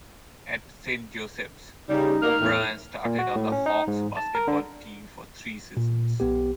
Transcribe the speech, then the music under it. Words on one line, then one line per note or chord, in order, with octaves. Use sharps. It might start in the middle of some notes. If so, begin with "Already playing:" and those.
At Saint Joseph's, O'Brien started on the Hawks basketball team for three seasons.
C#3 G3 D#4
A#3 F6
E2 A2
A#2
F#4
A2
C#4
D#4
G#2
A5
A#4
D3
A#2
B1 B3 G4